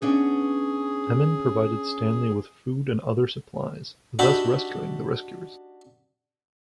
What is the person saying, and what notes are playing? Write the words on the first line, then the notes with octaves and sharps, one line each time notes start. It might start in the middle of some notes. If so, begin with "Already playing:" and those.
Emin provided Stanley with food and other supplies, thus rescuing the rescuers.
B3 C#4 D4 G#4
D4 D#4 F#4 G4 E5 B5